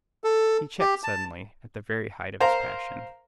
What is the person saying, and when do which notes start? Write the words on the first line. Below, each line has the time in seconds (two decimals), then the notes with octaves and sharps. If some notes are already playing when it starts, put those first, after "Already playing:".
He checked suddenly at the very height of his passion.
0.24 A4
0.80 G4
1.04 A5
2.40 A#4 C5 F5 A#5